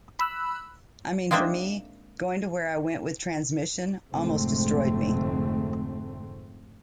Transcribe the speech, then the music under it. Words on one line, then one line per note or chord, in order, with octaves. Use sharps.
I mean for me, going to where I went with Transmission, almost destroyed me.
B5 E6 F#6
G#3 A#3 C4 D4 D#4 E5
F1 G#2 D3 G#3 A3 C4